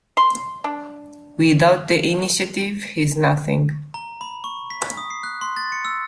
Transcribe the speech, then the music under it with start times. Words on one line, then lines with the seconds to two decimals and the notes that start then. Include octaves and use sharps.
Without the Initiative, he's nothing.
0.17 C6
0.64 D4
3.94 A#5
4.21 B5
4.44 C#6
4.70 B6
4.97 D#6
5.10 C7
5.23 F#6
5.41 C6
5.56 A6
5.72 C#7
5.85 E6